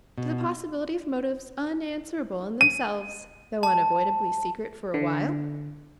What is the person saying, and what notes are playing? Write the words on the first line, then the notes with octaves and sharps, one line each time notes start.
To the possibility of motives unanswerable in themselves, though unavoidably secret for a while?
B2
D#7
A5
D3